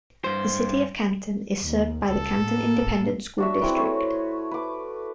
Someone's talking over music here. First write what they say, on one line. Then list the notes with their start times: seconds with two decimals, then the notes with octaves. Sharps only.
The City of Canton is served by the Canton Independent School District.
0.24 G2 C5
1.62 D#2
2.05 C#2 A4
2.39 A2 A#3
3.38 D4 F#4 E5
3.61 C4 E4 G#4 B4
3.76 A3 C#5
4.51 B4 D6